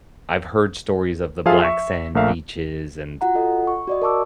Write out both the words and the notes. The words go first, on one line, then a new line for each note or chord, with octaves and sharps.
I've heard stories of the black sand beaches, and
F3 F4 G#4 A4 E5 F5
E5 C#6
A#1 A3 A#4 E5 F5
F4 F#4 F#5 A#5
F4 A4 D#5 F#5
C#6
F#4 D5 D#5
A#4 D#5 A5 C#6 D6 E6